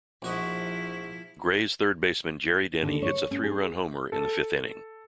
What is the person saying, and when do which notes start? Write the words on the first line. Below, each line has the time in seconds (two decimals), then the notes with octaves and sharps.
Grays third baseman Jerry Denny hits a three-run homer in the fifth inning.
0.22 A#1 F3 E4 F#4 D#5
2.83 D3
3.02 C#5
3.31 C#4
3.43 G#4
4.12 A4